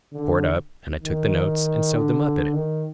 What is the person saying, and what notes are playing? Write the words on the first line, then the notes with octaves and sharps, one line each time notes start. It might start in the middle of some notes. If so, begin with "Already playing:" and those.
I tore it up, and I took the notes and sewed them up in it.
D3
D#3
D3
D#3